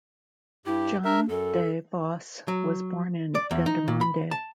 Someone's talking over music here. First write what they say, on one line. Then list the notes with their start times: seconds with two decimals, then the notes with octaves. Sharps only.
Jan De Vos was born in Dendermonde.
0.66 G2 E4 G4
1.04 D4 A#4 E5
1.29 F#2 A4
2.48 F#3
3.35 D5
3.51 E2
3.66 D#4
3.88 A#2
4.01 B5
4.31 A5